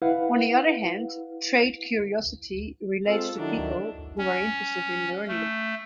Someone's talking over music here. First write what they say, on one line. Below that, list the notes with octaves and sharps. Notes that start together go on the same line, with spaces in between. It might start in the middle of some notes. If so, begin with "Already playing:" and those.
On the other hand, trait curiosity relates to people who are interested in learning.
E4 B4 F5 F#5
G#3 C4 F4 A4 C5
D#3 F#3 D4 E4
C#4
A3